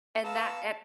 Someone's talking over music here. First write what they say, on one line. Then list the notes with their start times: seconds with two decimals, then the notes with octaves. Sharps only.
And that and
0.24 B3 F5 A5 A#5 E6